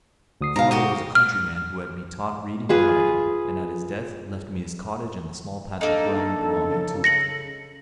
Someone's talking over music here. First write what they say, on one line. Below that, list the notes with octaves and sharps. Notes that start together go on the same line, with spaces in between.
My father was a countryman who had me taught reading and writing, and at his death left me his cottage and the small patch of ground belonging to it.
D2 D#6 C7
G#2 B2 F5 A#5
F#4 G4 D#6
F6
F4 G#4 B4
A#3 D4 D#4 A4
C#3
A#6 C#7 F#7